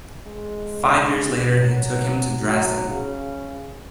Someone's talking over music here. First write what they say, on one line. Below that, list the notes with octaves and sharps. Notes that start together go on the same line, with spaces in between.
Five years later he took him to Dresden.
G#3
F#3
F#3
C#3